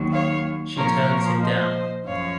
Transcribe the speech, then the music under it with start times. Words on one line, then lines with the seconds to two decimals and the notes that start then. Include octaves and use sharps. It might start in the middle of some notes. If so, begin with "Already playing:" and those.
She turns him down.
Already playing: D#2 D#3 F#3
0.13 C#5 F5
0.77 A#2 F3 A#4 C#5
1.42 C5 D#5
2.05 F#2 F3 C#5 F5